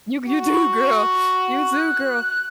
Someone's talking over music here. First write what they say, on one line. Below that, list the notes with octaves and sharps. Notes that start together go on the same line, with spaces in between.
You d you do, girl. You do, girl.
F#4
F#6